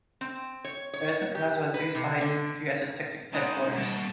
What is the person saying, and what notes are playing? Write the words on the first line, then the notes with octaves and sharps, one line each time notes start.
Edison Plaza was used by Entergy as its Texas headquarters.
C4
C#5
C#5
G4
B4
C3
D3
B2 G#3 C#4 D#4 B4 F#5
B2 G3 A#3 A5